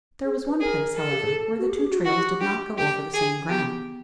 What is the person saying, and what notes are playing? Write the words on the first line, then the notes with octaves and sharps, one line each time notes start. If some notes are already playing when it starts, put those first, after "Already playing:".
There was one place, however, where the two trails did not go over the same ground.
G#4
B4
G#4 A#4
A4
G4
G#4
A4
F#4
G4
G#4
G4
F#4
F4
E4 F#4
G4
G4
D4 G4
G4
G#4
B3 G4